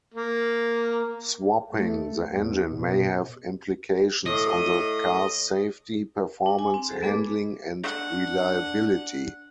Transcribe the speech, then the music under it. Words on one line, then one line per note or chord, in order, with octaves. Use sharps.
Swapping the engine may have implications on the cars safety, performance, handling and reliability.
A#3
A3
E2
B2
A2 D#5
D4
G#5
C4
F#4 G#4 A4 C5
A3 B3 G#4 B4 D6
D4 F#5